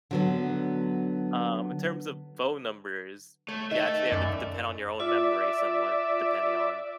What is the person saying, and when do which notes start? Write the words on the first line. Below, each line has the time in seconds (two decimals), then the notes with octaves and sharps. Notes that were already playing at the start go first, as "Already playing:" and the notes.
Um, in terms of phone numbers, you actually had to d depend on your own memory somewhat, depending on
0.11 D3 F#3 B3
3.48 A3 C#5
3.71 D#3 A4 E5
4.12 F#2 D5
5.00 F4 D5 E5